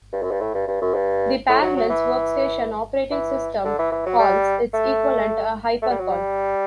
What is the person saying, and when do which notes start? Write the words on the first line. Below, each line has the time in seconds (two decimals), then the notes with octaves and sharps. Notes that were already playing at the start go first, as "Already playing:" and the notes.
The Parallels Workstation operating system calls its equivalent a "hypercall".
0.13 G2
0.23 F#2
0.31 G2
0.40 A2
0.54 G2
0.67 G2
0.82 F#2
0.94 G2
1.49 A2
1.62 F#3
1.76 F#3
1.89 E3
3.11 E3
3.64 D3
3.79 E3
3.92 E3
4.06 F#3
4.18 G3
4.73 A3
5.82 A3
5.90 G3
5.99 F#3
6.09 G3